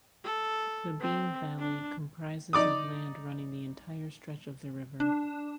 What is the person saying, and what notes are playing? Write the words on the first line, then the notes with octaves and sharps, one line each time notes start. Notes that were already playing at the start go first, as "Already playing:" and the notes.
The Beam Valley comprises of land running the entire stretch of the river.
A4
C4
D4
D#4 D5 D6 D#6
D4